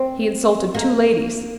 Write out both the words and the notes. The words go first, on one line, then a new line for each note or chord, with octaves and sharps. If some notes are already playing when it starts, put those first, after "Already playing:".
He insulted two ladies.
Already playing: C4
A#3